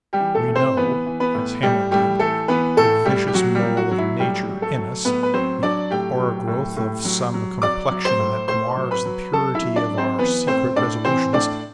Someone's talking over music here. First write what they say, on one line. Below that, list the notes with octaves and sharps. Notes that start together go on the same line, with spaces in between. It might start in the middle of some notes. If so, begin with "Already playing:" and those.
We know--as Hamlet did--the vicious mole of nature in us, the o'ergrowth of some complexion that mars the purity of our secret resolutions.
G3 G4
E3
A3 A4
A2
C4 C5
E3 B3 B4
E3
B3 B4
A2
A2 G3 G4
A2 G3 G4
E3 A3 A4
E3 B3 B4
A2 A3 A4
A2 G3 G4
G4
F#3 F#4
G3 G4
F#3
F#4
F#3
E4
A2 G3 G4
F#3
A3 A4
F#3
A2 B3 B4
B4
F#3 C4 C5
F#3 D4 D5
A2 G4 G5
F#3
A2
A2
F#3
F#3
F#3 D5 D6
F#3
C5 C6
A2
A2 C5 C6
F#3
B4 B5
F#3
F#3 A4 A5
E4 E5
F#3
D4 D5
F#3
C4 C5
E3 B3 B4
A2 C4 C5
A2 D4 D5
E3 C4 C5
A2 D4 D5